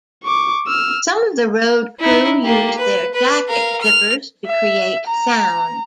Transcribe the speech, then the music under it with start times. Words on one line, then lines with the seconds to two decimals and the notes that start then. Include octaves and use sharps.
Some of the road crew used their jacket zippers to create sound.
0.23 C#6 D6
0.67 E6 F6
2.00 D#4 E4
2.43 A#3 G4
2.77 B4
3.14 B4
3.48 A#4 F5
3.81 F6
4.46 E5
5.08 A#5